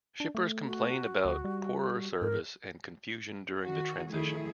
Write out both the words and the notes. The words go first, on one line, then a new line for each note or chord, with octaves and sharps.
Shippers complain about poorer service and confusion during the transition.
D4
A3
F#4
D2
G3
G#2 A#4
D#3 F#4
D#3 F3 A3 E4 G#4